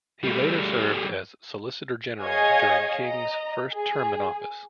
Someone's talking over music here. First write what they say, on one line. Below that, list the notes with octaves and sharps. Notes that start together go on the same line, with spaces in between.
He later served as Solicitor General during King's first term in office.
G3 A3
G#4 C#5 D#5 F5 G#5 G#6
D#5 A#5
G#4